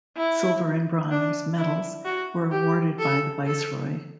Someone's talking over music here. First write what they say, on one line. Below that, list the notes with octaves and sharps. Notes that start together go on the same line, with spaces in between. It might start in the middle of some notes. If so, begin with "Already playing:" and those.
Silver and Bronze medals were awarded by the Viceroy.
E4
D4
E4
F#4
G4
A4
A4